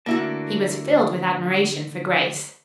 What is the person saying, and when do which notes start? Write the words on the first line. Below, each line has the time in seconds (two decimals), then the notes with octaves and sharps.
He was filled with admiration for Grace.
0.06 D3 A3 A#3 E4 F#4 A5